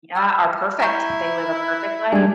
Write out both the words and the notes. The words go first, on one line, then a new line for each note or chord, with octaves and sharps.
Yeah, are perfect. They live a perfect life.
G5 E6 F6
E4 A#5 C#6 G6
G3 G#3 D4 G#5 G#6